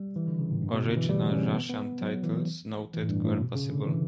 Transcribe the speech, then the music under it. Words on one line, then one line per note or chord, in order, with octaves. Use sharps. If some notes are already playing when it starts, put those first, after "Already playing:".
Original Russian titles noted where possible.
Already playing: G3
E3
D3
C#3
A2
G2
B2
D3
E3
G3
A3
C#4
B3
B3
B3
F#3
E3
E3
A2
G2
A2
B2
C#3
D3
E3